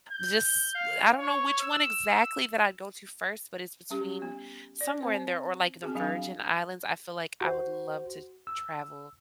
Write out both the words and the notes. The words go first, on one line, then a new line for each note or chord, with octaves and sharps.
just I don't know which one exactly that I'd go to first, but it's between somewhere in there or, like, the Virgin Islands. I feel like I would love to travel
G6
F5
C#5
E6
G3 C#4 G4
B3
D5
C4 C5
B3 C4 F#4 G#4
F#3 D4 F5 G#5
F#4 C5
E6